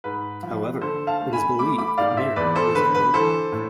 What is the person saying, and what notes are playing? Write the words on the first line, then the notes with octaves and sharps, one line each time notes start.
However, it is believed that Mirin was of noble birth.
G#2 B4
F3
D3 A4 C5
F5 A5
A3
G#5 B5
A3 B5 D6
B5 D6
G#2 D5 F5
C5 E5
E2 B4 D5
A4 C5
D3 B4
B4
E3 A4 C5
A2